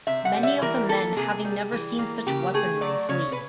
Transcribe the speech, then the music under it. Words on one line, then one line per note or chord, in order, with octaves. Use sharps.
Many of the men, having never seen such weaponry, flee.
C3 E5
F#5
G3
E5
E3 A#4
A#3 A4
C3 G#4
G3
E3
A#3
C#3 G4
A3 G#4
F#3 D5
C#3 C#5
B4